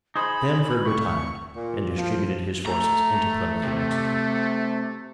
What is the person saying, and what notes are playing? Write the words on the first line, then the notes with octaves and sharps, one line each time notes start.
Stamford retired, and distributed his forces into Plymouth and Exeter.
D#4 G#4 C5 B5
G2 C3 A3 C#6
A#2
F3
A3 A#5
C3